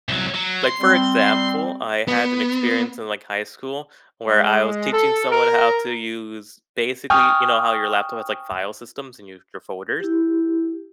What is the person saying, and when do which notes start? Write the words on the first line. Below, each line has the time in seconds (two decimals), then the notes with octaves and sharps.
like, for example, I had an experience in, like, high school where I was teaching someone how to use, basically you know how your laptop has like file systems and you your folders,
0.09 C2 F#3
0.35 F#3
0.65 C6
0.80 G3 C4
2.08 B3
4.28 G#3
4.92 A4
5.30 A#4
7.10 G5 G#5 C#6 D#6 F6
10.00 E4 G4